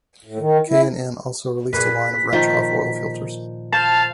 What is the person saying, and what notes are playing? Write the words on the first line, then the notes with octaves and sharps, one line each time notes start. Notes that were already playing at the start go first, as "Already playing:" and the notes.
K and N also released a line of Wrench-Off oil filters.
A2
D#3
E4
A#2 G#4 B4 B6
D#3 F3 F4
C5 F5 A5